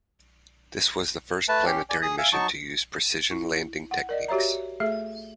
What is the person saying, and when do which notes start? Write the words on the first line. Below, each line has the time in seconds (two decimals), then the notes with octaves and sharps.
This was the first planetary mission to use precision landing techniques.
1.48 A3 B4 A5
1.66 C#4 G4
1.89 D5 G#5
2.02 G#4 D#6
2.18 E5 F5 G#5
2.33 F#3 D#4 A5 C#6
3.31 E4
3.91 F#5
4.09 A#4 D5 D#5
4.28 F#4 G4 C#5 E5 A#5
4.80 A3 G#4 A4 E5